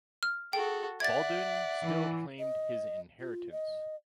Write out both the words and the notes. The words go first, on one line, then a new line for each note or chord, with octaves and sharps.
Baldwin still claimed his inheritance.
F6
F#4 G#4 A4 G5
D5 E5 F#5 G#6 A6
E3
D#5
F4
D#5